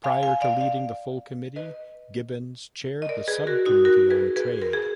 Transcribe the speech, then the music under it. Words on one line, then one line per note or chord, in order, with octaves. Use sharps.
Prior to leading the full committee, Gibbons chaired the subcommittee on trade.
F5 G#5
F5 G#5
D5 F5
D5 F5
B4 D#5
D#5
A#4 D5
G#4 B4
F#4 A#4
D#4 F#4
F#4 A#4
G#4 B4
G#4 B4
A#4
G#4